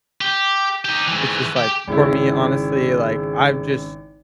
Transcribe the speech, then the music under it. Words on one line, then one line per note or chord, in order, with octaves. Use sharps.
It's just like, for me, honestly, like, I've just
G4
D#4 G4
G#2 E3
G4
G#1 C#3 E4